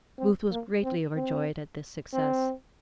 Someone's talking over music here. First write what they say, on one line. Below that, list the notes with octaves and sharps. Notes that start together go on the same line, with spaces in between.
Booth was greatly overjoyed at this success.
C4
A#3
C4
C4
C4